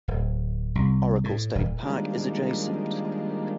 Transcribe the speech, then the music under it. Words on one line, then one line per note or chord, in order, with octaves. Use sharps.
Oracle State Park is adjacent.
D1
C2
A2
D#1
D#3 F3 G3 G#3 A#3 D4